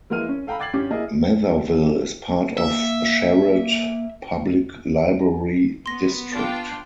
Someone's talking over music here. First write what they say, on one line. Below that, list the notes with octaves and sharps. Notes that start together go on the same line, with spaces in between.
Matherville is part of Sherrard Public Library District.
E3 G#3 A#3 A#4 F6 D#7
C#4
A4 F5 G5 A#5 B5
G5 D6 G#6 A6 C7 F#7
G2 C#4 G4 D6
A#3 E4 G#4 A#4 D#5
A#3 E5
B3 C6 A#6
D4 F4 G5